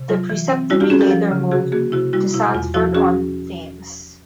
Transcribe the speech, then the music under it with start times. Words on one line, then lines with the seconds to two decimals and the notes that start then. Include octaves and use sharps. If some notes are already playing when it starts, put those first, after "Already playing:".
The preceptory later moved to Sandford-on-Thames.
Already playing: C3
0.09 F#3 F4
0.30 E3
0.50 C4
0.70 G3 E4 F#4
0.80 F4 G4
0.90 C#4 F#4 G#4
1.01 G4 A4
1.11 F3
1.31 C#3
1.51 C3 F#4 G#4
1.72 A#3 F#4 G#4
1.92 C3 E4 F#4
2.13 G3 E4 F#4
2.33 B2 E4
2.54 E2 F4
2.74 F3 E4 F#4
2.95 C#4 F#4 G#4